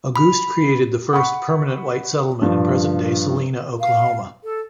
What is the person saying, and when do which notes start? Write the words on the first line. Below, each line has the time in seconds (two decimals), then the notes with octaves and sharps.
Auguste created the first permanent white settlement in present-day Salina, Oklahoma.
0.16 B5
1.13 F#5 B5 C#6
2.42 G2 F3
3.80 F5
4.43 A4